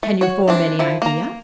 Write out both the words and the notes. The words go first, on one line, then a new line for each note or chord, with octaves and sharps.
Can you form any idea?
A3
F#4 C#5
E3 C4 D4
F3 E4
A#3 A#5